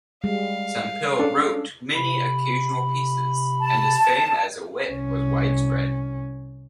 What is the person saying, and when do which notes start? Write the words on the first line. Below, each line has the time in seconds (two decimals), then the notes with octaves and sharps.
Sempill wrote many occasional pieces, and his fame as a wit was widespread.
0.24 G3 G#3 F5
1.19 C#4 D4 A4
1.94 C3 B5
3.60 A5
4.89 C2 C#4